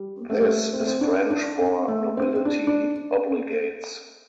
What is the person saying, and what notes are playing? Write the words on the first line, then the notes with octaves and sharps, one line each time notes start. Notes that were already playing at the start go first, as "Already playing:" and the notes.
This is French for "nobility obligates".
Already playing: G3
A3
G3
A3
C4
A3
C4
D4
D4
A3
C4
C4
D4
D4